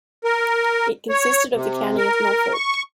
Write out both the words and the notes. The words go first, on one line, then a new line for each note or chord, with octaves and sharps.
It consisted of the county of Norfolk.
A#4
C#5
C3
A#4
C#6